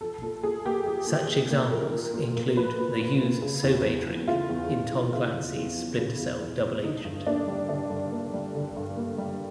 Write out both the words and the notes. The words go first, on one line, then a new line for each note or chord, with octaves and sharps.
Such examples include the use Sobe drink in Tom Clancy's Splinter Cell: Double Agent.
F3 A4
A#2 A4
A#2 G#4
A#3 G4
F3 G#4
A#2
A#2
A#3
F3 A#4
A#2
A#2
A#3
F3 B4
A#2
A#2
A#3
C#3
E2
E2
F3
C#3 F4
E2
E2
F3
C#3 F4
E2
E2
F3
C#3
E2
E2
F3
D3 D#4
G2
A#3 D4
G3
D3 D4
G2
A#3
G3
D3
G2
A#3
G3